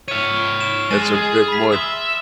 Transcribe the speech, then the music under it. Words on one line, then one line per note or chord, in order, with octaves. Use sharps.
that's a bit much,
C#5 E5 F6 D#7
E7
G#3 A6 D#7 E7
G#4
B5 B6
E5 C6 D#6